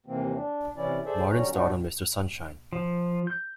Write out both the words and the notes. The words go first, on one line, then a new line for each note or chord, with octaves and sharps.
Martin starred on "Mr. Sunshine".
D#2 C3 E3 A#3 C4
D4
C3 E3 C#4 E4 D5
G#4 A4 C5 D5 E5
D3 F#3 G3 C#4 C#5 A#5
G3 B3 D4 D#4 F4 F#4
F3
G6